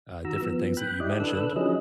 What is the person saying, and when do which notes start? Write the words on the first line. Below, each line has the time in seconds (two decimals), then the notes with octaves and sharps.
uh, different things that you mentioned,
0.25 D#3 F#4 A#5 E6
0.42 F3 B3
0.77 G5 B5 F#6
1.00 E4 G4 D5 D#5
1.20 D3 D4 A4 B4 E6 F#6
1.56 F3 F#3 C#4 D#4 G#4 D#5